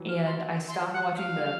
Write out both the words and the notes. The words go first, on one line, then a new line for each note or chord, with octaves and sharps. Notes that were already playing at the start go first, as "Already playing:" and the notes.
and, I stopped watching the f
Already playing: E3 F#3
F6
C6
C6
F#5
F3 G3 F5
G3 A3